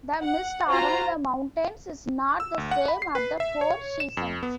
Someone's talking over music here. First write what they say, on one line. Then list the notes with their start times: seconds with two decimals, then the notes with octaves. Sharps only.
The mist around the mountains is not the same at the four seasons.
0.20 F#5
0.69 F4 F#4 C5 A#5
2.40 E6
2.58 D2
2.71 F#5
2.88 B5
3.02 C7
3.15 B4
3.40 E5
3.61 C#5
4.00 E7
4.17 F2
4.43 B3